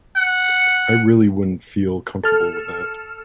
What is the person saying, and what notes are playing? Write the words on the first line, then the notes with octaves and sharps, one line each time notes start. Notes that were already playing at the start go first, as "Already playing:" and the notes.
I really wouldn't feel comfortable with that.
F#5
A4 F6